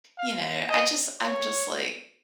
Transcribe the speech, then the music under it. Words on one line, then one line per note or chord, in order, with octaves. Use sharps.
you know, I just, I'm just, like
F5
D#5
C#5